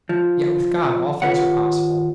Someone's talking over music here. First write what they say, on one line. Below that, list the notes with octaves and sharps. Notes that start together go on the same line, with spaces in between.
Yet with God all things are possible.
F3
D#2 F4 B4 C#5 F#5